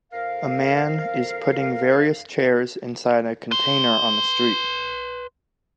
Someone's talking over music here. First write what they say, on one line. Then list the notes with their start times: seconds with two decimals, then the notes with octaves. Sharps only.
A man is putting various chairs inside a container on the street.
0.11 F2 A#4 F5
3.51 B4 C6